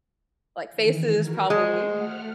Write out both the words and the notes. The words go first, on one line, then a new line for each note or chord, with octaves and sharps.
like faces probably
D#3 E3
F#4 A#4
G#3 F#4 C5
A3 F#5 F6